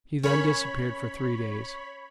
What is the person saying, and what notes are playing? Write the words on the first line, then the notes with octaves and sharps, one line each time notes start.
He then disappeared for three days.
C#4 C#5 B5